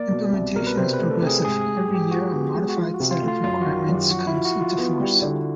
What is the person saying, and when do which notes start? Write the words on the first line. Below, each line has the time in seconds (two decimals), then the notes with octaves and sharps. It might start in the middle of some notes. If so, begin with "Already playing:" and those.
Implementation is progressive, every year a modified set of requirements comes into force.
Already playing: A#3 D5
0.11 B2
0.32 C2
0.55 B2 A#4
0.67 B4
0.77 C3 C5
0.93 B4
0.99 A3
1.11 A4
1.22 C3
1.27 G#4
1.44 G#2 G#4
1.61 G#4
1.67 G#2
1.77 G4
1.89 G#2
1.95 G4
2.10 F3 F#4
2.33 B3
2.55 G#3
2.69 F#4
2.77 F3 F4
2.94 F#4
3.00 C3
3.11 F4
3.22 A3
3.28 F4
3.44 F#2 F4
3.61 D#3 F#4
3.89 F#2
3.95 G4
4.10 F3 F#4
4.27 E4
4.34 F3
4.45 F#4
4.55 F3
4.61 F4
4.78 B3
5.00 G3
5.22 D3